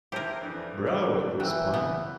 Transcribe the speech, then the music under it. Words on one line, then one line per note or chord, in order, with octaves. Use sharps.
Bravo, Chris Pine!
E4 G4 A#4 C5 A5
F2 E3 D4
E3 F#3 G5 E6 F#6
B3